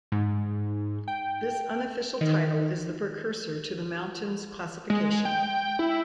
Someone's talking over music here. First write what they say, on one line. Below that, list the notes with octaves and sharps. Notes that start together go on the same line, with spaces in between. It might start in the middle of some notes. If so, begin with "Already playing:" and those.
This unofficial title is the precursor to the mountains classification.
G#2
G5
D#3
G#3
G5
E4